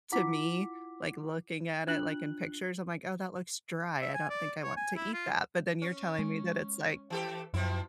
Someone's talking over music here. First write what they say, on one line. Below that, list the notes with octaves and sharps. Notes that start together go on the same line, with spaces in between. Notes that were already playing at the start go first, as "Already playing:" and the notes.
to me, like, looking at it, like, in pictures, I'm like, "Oh, that looks dry. I don't think I want to eat that." but then you're telling me that it's, like,
E4 F4 F#5 D6 B6
D4 F4 F#6 F#7
E5
G#5
D5
C#5
G#5
E4
F4
C#4
G#3
E3 G4 A4
F#2 B2 F3 E4